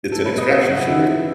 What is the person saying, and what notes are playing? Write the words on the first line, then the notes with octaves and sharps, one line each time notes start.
it's an extraction shooter.
G#2
A2 A4
B4
B2
D#5
C#3 E5
F#5
F#5
D#3 E5
E3